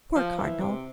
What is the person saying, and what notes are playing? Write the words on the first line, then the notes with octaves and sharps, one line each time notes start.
Poor cardinal!
F3
E3
C3